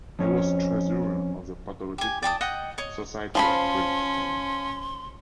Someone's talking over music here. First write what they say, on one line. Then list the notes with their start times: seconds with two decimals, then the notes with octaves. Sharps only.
He was treasurer of the Pathological Society of Great Britain.
0.19 F2 C#4
1.98 G4 G#5
2.23 D5 G5 A5 D#6
2.41 D#5 F#5 G5 D#6
2.78 C#5 D#5
3.35 F3 C#4 C5 F5 A5 B5 C6